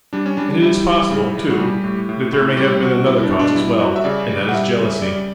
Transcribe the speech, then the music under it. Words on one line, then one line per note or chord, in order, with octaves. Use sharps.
And it is possible, too, that there may have been another cause as well, and that is jealousy.
G3 D4
C#4
G3 D4
D4
G3 E4
G3
C#3
G3
F#4
G3 G4
A2
A2
A2
G3 G4
G3 F#4
G3 E4
D4
B2
D4
G3 E4
G3 F#4
E5
C#3 D5
G3
F#5
G3 E5
C#3
G3 D5